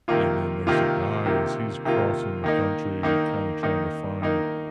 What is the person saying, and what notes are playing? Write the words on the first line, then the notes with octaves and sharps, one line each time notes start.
And then there's a guy as he's crossing the country, kinda trying to find,
C3 D#3 A#3 F4
C3 D#3 A#3 F4
C3 D#3 A#3 F4
C3 D#3 A#3 F4
D#3 A#3 D#4
D#3 A#3 D#4
D#3 A#3 D#4
D#3 A#3 D#4